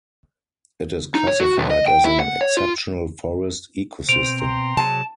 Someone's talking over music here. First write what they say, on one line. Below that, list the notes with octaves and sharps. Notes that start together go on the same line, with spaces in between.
It is classified as an exceptional forest ecosystem.
D#4
C#5
F#4
B1
D#5
G5
E4
F#5
C#5
F4
B2 C4 C5 D7 F7
G5 A#5 C6
C3 F#3 G#4 A5